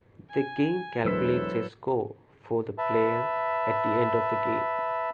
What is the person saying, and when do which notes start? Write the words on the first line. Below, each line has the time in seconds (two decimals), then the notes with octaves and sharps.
The game calculates a score for the player at the end of the game.
0.30 G#5
1.05 E1 F#3 E4 A4 B4 C5 E6 B6
2.78 B4 E5 A5